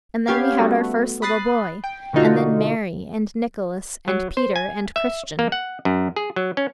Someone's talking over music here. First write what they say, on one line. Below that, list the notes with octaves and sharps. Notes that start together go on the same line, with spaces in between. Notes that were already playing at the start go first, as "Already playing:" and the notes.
And then we had our first little boy, and then Mary, and Nicholas, and Peter, and Christian.'
B3 C#4 G4 F5 G#6
G3 A3 B3 F#4
B5 D#6 F#6 A6 C7
G5
B2 D3 A3 D#4 F4 F#4
F#3
C5
G#5
E5
A#3
F#5
F#2
G#4
F#3
C#4